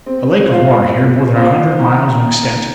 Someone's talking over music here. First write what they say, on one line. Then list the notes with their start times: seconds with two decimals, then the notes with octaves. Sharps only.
A lake of water here, more than a hundred miles in extent.
0.06 C4
0.49 F4 C5 F5
0.93 C4
1.36 F4 C5 F5
1.79 D#3